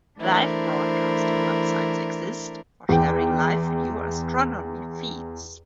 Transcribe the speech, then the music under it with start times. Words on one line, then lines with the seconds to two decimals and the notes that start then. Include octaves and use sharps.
Live broadcasting websites exist for sharing live video astronomy feeds.
0.20 E3 A3 D4 E4 A#4 C5
2.89 E2 G5